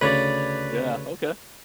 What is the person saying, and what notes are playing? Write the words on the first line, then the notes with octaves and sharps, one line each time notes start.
Yeah. Okay.
D2 C#3 B4 C#5 D5